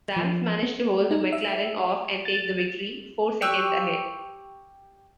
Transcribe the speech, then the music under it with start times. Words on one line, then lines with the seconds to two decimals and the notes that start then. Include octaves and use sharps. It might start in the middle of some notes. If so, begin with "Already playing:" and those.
Ralf managed to hold the McLaren off and take the victory, four seconds ahead.
0.16 F3
0.63 B3
1.11 D#4
1.33 E5
2.25 A6
3.42 G4 C#6 E6 F#6